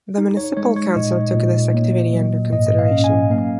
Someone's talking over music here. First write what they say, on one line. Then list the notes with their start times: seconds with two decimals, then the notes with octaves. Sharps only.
The municipal council took this activity under consideration.
0.18 D#4
0.37 C#5
0.57 G#3 C#5
0.76 C#5
0.96 A#2 D#5
1.34 A#2
1.74 A#3
2.13 F#3
2.52 G#2 D#5
2.67 D#5
2.79 F5
2.91 C#4
3.04 G#5
3.30 A#3 F5